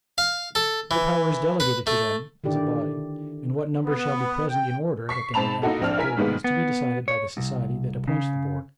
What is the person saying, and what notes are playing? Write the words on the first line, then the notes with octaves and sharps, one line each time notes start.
Their power is delegated to them as a body, and what number shall be present in order that they may act as a Board, is to be decided by the society that appoints the Board.
F5
A4
E3
B4
A3
D3 D#3 E4 G4 D5
B3
G5
C#6 B6 C7
G#2 C4 A5 B5 F7
A#3 D#4 E4 F#4 A4
A#1 C4 D4 F6
E4 A#4 G#5 B6
G#2 D#3 G3 G#3 A#3 B3
B3
C#5
C2
C#3